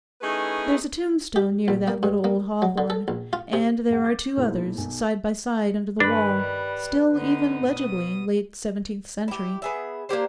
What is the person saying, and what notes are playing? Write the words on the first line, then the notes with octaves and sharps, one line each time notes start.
There's a tombstone near that little old hawthorn, and there are two others side by side under the wall, still even legibly late seventeenth century.
A3 C#4 D#4 E4 G#4 B4
G4
A#1
A#3
G2
A#3
F#3
D3
A4
A#1
F4
C3
D#1 G#3 F#5
D6 G6 A6
B1 A#2 G#3 E4 C5
B1 G#5
G2 D#3 G#3 D4 B4 B5
G3
D3 B3 D#4
B2 D#6
E4 G4
B3 G#4 E5
A#3 D4 G4 C5